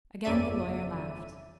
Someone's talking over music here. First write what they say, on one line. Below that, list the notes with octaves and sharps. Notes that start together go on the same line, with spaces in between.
Again the lawyer laughed.
G1 F2 C#3 D5 E5 D#7